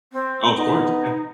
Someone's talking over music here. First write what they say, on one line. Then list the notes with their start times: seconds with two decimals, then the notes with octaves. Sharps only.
Oh, of course, yeah.
0.13 C4
0.55 B3 D#4